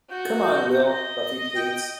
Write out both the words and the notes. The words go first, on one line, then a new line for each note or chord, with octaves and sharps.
"Come on, Will," Buffy pleads.
F#4 G6
D#5
G5